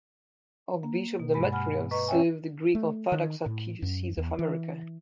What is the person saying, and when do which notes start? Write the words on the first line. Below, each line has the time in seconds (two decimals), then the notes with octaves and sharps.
Archbishop Demetrios served the Greek Orthodox Archdiocese of America.
0.83 A#3
1.20 B2
1.34 G2 G#3 B5
1.52 F#5 G#5 B5 F6
1.91 B4 D#5 A#5 C#6
2.08 C#4 E4 C#5 E5 G5 G#5
2.75 A3
3.12 D#3
3.46 A2
3.82 F#2
4.17 E2
4.39 E3